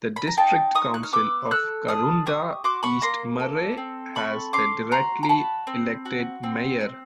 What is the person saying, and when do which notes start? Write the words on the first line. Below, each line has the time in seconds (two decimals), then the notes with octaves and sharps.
The District Council of Karoonda East Murray has a directly-elected mayor.
0.16 B5
0.27 A#5
0.37 D#4 G5 A5
0.75 D#4 C#6 D#6
0.94 F#6
1.03 F6
1.13 B3 D6 E6
1.51 A4 E6 F#6
1.88 D4 D#6 F6
2.26 G4 C#6 D#6
2.64 F#4 C6 D6
2.83 B5 C#6
3.02 A#3 A#5 C6
3.40 A4
3.77 C4
4.15 A4 B5 C#6
4.53 C#4 C6 D6
4.91 F#4 A#5 C6
5.23 A#5
5.29 F#4 A5 B5
5.67 C4
6.05 F#4
6.43 C4
6.81 C4